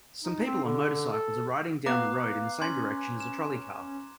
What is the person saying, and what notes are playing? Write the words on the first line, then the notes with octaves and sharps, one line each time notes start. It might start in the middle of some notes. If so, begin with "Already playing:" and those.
Some people on motorcycles are riding down the road in the same direction as a trolley car.
D#4
C4
D3
A4
B3 F5 A#5 D6 F#6
C#4 C6 G#6
E7